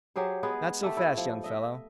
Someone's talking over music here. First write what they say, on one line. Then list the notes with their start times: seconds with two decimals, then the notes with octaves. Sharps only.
Not so fast, young fellow.
0.16 F#3 G4 G#4 C5
0.43 G#3 B3 G#4
0.83 A3 G4 A4 E5
0.97 E4
1.17 F3
1.44 D#5 E5